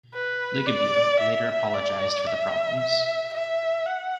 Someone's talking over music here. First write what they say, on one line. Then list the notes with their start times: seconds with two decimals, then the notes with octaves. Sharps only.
Ligabue later apologised for the problems.
0.14 B4
0.66 D5
1.20 E5
1.74 D5
2.27 E5
2.79 E5
3.33 E5
3.86 F#5